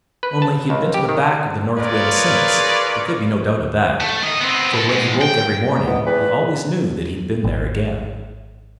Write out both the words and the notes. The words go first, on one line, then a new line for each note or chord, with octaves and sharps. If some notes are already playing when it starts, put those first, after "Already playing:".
Only he had been to the back of the north wind since--there could be no doubt of that; for when he woke every morning, he always knew that he had been there again.
B4
A5
C#2
G4
D#3
F4 G#4 A#4 B4 C#5 D5
A3
D#3 D#5
B3 C4
A2 A4
E2 G#3
G5
C5 D5 A#5
A1 B3 D#5
E2 B4 D5 G5 G#5
G#1